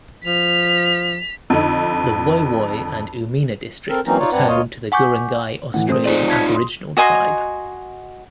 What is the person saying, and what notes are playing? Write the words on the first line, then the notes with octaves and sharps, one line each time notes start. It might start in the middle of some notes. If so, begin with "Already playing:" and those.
The Woy Woy and Umina district was home to the Guringai Australian Aboriginal tribe.
F3 B6 F7
F2 D3 D#4
C4 A4 A#4
E3 F#3 A#3 C4 C#4 D#4
D#4 F4 C#5 D5
G2 C4 B4 D5 F#5 A#5
D2 A#3 F4 C#5 D#5
F#5 G#5 C#6 D6 G6
A2 E3 F#5
A3 C4 E4 D#6
D#4 F4 G#4 C5 D5
A5 G#6 B6
C6 D#6
F#4 D#5 G#5 C6